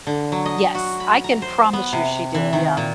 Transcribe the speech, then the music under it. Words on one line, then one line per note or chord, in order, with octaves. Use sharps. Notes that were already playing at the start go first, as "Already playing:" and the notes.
Yes, I can promise you she did, yeah.
D3
F#3
D#5
F#4
B5
A#5
C5
B3
C3
E3
D#3
A#2